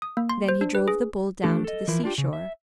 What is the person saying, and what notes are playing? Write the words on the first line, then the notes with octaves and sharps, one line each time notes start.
Then he drove the bull down to the seashore.
D#6
A#3
C6
C5
D4
B4
G#4
E3 A3 D4 G4 A4
A4 D#5
E3 F3 E4 A#4
D4 F4 G4
C#3
E5